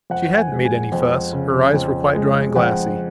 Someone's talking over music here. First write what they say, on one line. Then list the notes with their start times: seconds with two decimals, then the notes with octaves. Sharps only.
She hadn't made any fuss; her eyes were quite dry and glassy.
0.10 F2 F#5
0.37 G#5
0.51 G#3
0.65 G#5
0.92 F2
1.33 C#3
1.74 F2
2.15 G#3
2.56 F2 F#5